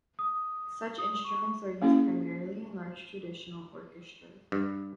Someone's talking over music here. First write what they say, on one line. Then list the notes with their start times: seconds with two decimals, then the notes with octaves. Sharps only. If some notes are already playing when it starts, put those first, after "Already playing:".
Such instruments are used primarily in large traditional orchestras.
0.19 D#6
0.98 D#6
1.24 C#6
1.82 A#3 C#4 E4 G#4
4.52 G2